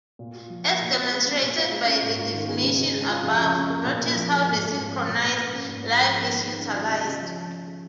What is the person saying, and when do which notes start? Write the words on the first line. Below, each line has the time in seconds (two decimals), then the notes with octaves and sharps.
As demonstrated by the definition above, notice how the "synchronized" line is utilized.
0.19 A#2
0.35 F4
0.50 F3
0.66 A#3
0.80 A#2
0.96 F4
1.11 G#3
1.26 C#4
1.41 A#2
1.57 F4
1.71 G#3
1.87 C#4
2.02 G#2
2.18 F4
2.34 D#3
2.48 G#3
2.63 C#3
2.79 C#3
2.94 G#3
3.09 F4
3.24 F2
3.39 C#4
3.55 C#3
3.70 A#3
3.85 A#2
4.01 A#2
4.16 F3
4.31 G#3
4.47 G#2
4.61 G#2
4.77 F3
4.92 C#4
5.07 A#2
5.22 A#2
5.38 A#3
5.53 C#4
5.68 G#2
5.83 F4
5.99 F3
6.14 G#3
6.29 D#3
6.45 D#3
6.59 C#4
6.75 F4
6.90 C#3
7.06 C#3
7.21 F3